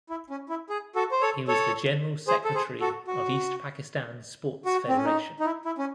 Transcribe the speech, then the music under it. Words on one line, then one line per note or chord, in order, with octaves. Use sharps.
He was the General Secretary of East Pakistan Sports Federation.
E4
C#4
E4
G#4
F#4 A4
C5
A4 C#5
A4 C#5
G#4 C5
A4
G#4 C5
F#4 A4
F#4
F#4
C4
C#4
D#4
D#4
E4
E4
C#4